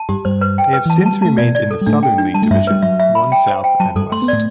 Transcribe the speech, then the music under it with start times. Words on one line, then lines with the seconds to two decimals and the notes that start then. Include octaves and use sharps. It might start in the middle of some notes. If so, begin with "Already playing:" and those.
They have since remained in the Southern League Division One South and West.
Already playing: A5
0.09 G2 G3 G4
0.25 G2 G3 C5
0.41 B4
0.58 G5
0.73 B4
0.86 E3 A5
0.98 F#3
1.06 A5
1.13 G3
1.22 A3 A5
1.38 B2 B3 D5
1.55 D5
1.71 A4
1.81 G3
1.86 A2 A3 D4
2.03 G5
2.18 D4
2.34 G3 A5
2.42 A3
2.51 G2 G3 E5
2.67 G3 B4
2.82 F#3 E5
3.00 E5
3.15 B5
3.32 G5
3.48 C5
3.64 G5
3.80 F#3 A5
3.96 G2 G3 A4
4.12 A3 C6
4.22 B3
4.28 A2 A3 D5